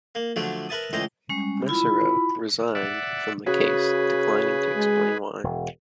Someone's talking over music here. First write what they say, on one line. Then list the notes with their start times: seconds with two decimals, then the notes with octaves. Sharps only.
Mesereau resigned from the case, declining to explain why.
0.15 A#3
0.36 D3 F3 F#3 A3 D4
0.69 A#4 B4 E5 A5 D#6
0.93 C#2 A2 E3 C5 D#5 A#5
1.29 G3 G#3 C#4
1.69 E4 F4 B5
2.75 D5 E5 F#5
3.46 C#3 F#4 G#4 B4
4.75 G#3
5.44 E1